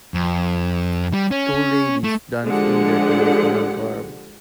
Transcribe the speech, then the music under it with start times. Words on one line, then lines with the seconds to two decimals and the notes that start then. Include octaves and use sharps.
Two ladies dance in their traditional garb.
0.14 F2
1.13 G3
1.31 C#4
2.04 A3
2.45 D3 F3 G#3 G4 F#5